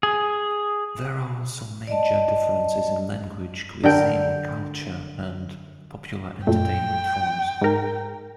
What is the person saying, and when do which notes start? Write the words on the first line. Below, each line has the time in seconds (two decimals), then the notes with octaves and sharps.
There are also major differences in language, cuisine, culture, and popular entertainment forms.
0.03 G#4
1.87 D5 D#5 A5
3.83 D3 A#4 G5
6.47 F#2 A#2 A3 G5
7.61 G#2 A#4